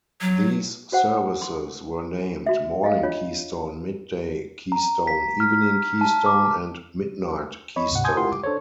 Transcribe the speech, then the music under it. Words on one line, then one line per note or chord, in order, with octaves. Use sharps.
These services were named "Morning Keystone", "Midday Keystone", "Evening Keystone", and "Midnight Keystone".
F#3
F#4 C5 F#5
C6
F#4 E5
D#5 F5
D4 F4 C#5
A#5
B6
F6
A5
D6
C#5 D#5 B5 C#6
D2 G#2 C3 F#5
G#5 A5 C6 D#6 G6 G#6
E4 F4 G4 A#4 F#5 C6
D6
D4 A4 C5 C#5